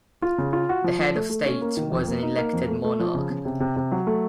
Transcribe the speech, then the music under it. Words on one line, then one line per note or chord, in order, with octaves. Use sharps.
The head of state was an elected monarch.
F4
C#3
F4
F#4
F3
F3
A3
A3
C#4
A#3
D#3
F2
A#3
D#4
A#3
F2
A3
A3
F3
C#3
C#3
C3
C3
C3
F#3
A3